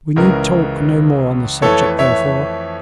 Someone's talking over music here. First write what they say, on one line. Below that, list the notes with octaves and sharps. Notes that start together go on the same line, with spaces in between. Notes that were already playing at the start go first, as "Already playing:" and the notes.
We need talk no more on the subject, therefore.
C#2 C#3 E3 A#4
F2 E3 A3 A4 C#5
C#5 E5